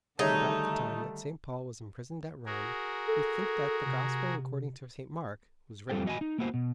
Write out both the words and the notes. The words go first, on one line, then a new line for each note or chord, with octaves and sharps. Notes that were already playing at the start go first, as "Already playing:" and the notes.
But about the time that St. Paul was imprisoned at Rome we think that the Gospel according to St. Mark was written.
D3 D#3 G3 A3 D#4 G#4 C#5 E5
F#4 G#4 A#4
A4
C3
F2 F3 G3 A4 C5 G5
F#4 D#5 F5 G#5 B5
D#4
A#3 B3 E4 F#4 C5
B2